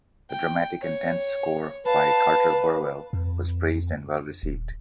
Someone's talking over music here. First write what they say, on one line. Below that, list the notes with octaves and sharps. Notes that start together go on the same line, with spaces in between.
The dramatic and tense score by Carter Burwell was praised and well received.
G5
C#5
B4 F5 A5
F2
D#1